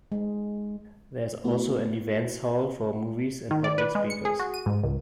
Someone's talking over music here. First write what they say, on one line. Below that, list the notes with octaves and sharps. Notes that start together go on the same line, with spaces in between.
There is also an events hall for movies and public speakers.
G#3
A3 B3 E4 F#4 B4
D#3
D5
B4
G#3
C#7
G#4
F#4
D#7
G#2
C#2